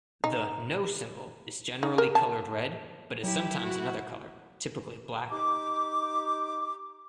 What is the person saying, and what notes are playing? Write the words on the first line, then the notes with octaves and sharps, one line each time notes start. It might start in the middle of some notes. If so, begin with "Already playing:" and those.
The "no" symbol is generally colored red, but is sometimes another color, typically black.
D#4
D#4
A#4
A5
F#3 E4 G4
F#4
D#4 G4 D6